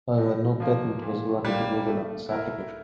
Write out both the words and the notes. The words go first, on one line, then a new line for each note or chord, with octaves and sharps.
However, no patent was granted to Google on this application.
A2
F3 A#3
A#2
G3 A#3
A3
E4 A#4